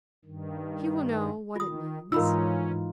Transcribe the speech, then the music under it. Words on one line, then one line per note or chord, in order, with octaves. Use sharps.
He will know what it means.
G2 D#3
D#3 F4 D#6
G#2 E3 C#4 D#4 F4 A#4 B5 E6